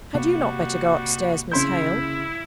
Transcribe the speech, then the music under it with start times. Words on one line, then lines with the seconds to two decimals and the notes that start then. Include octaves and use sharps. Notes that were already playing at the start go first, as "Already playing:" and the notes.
'Had you not better go upstairs, Miss Hale?'
0.15 C3 G3 A#3 F#4
1.52 C#3 E4 C6 G6